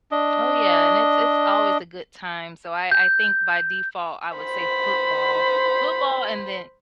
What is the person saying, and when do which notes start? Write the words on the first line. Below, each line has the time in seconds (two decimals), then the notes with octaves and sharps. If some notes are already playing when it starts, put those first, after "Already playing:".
Oh, yeah and it's it's always a good time so, I I think by default, I would say football. Football and then
0.11 D4 D#5
2.91 G6
4.37 C5 B5